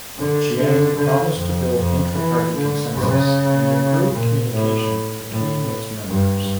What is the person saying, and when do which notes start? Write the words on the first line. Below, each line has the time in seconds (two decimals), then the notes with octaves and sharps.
Chiang promised to build intraparty consensus and improve communication between its members.
0.18 D3
0.58 D3
0.97 D3
1.36 F2
1.75 F2
2.15 E3
2.54 D3
2.93 C#3
4.11 A#2
4.51 A2
5.30 A2
6.08 G2